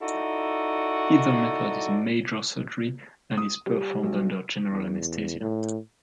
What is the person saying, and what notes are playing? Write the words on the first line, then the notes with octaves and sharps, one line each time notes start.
Either method is major surgery and is performed under general anesthesia.
D#4 E4 F#4 A4 D5
D#6
G3
B1
E2
A2